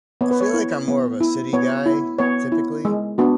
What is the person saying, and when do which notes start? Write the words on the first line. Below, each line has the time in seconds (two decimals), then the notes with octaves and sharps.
feel like I'm more of a city guy, typically,
0.21 B3 C#5
0.31 B4
0.41 C#5
0.54 E4
0.88 B3
1.20 E4
1.53 B3 C#5
1.86 E4
2.19 B3 C#5
2.52 E4
2.85 G#3
3.18 B3 D4 F#4